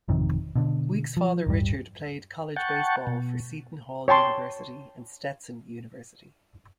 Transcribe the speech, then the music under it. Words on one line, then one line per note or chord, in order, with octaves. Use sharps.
Week's father Richard played college baseball for Seton Hall University and Stetson University.
G#1 F2 C3 D#3
B2 D3
F3
D1 G2 G3
F#5 G5 A5 C#6
B2
C#5 G5 A5 C6